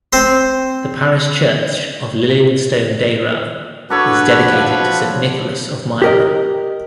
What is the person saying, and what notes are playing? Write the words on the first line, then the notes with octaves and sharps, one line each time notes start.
The parish church of Lillingstone Dayrell is dedicated to Saint Nicholas of Myra.
C4 C6
D4 F#4 A4 B4 C#5
F3
G4 A#4 D#5